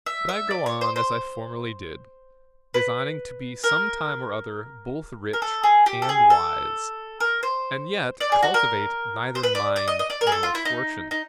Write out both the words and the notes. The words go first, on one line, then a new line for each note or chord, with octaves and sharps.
But I go on as I formerly did, designing to be some time or other both rich and wise; and yet cultivate neither mind nor fortune.
E5
E5
D5
C#5
C5
C5
B4
A#4
A#4
A4
G#4
G4
A4
G#4
A4
A#4
C5
D5
G#4
F#4
A#4
C5
B4
D5
D5
D#5
D#5
D5
A#4
G#4
A4
F4
E4
D#4
D#4